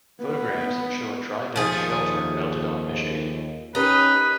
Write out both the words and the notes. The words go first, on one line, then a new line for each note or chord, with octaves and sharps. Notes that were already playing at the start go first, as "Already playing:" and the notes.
Photographs show a dry deck shelter mounted on "Michigan".
B3
D#2 F3 A3 G#4
C#4 D#4 G4 B4